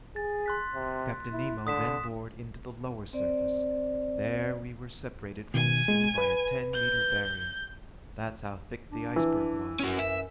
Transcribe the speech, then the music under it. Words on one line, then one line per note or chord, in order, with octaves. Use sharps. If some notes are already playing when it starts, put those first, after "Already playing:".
Captain Nemo then bored into the lower surface. There we were separated from the sea by a ten-meter barrier. That's how thick the iceberg was.
G#4 A6
C6 F#6 B6
C3
E4
D3 D#6 B6 E7
C4 C5 D5
B2 D#3 G#5
G#3
B4
G6
D4
E3
F#2 C#4 F#4
E5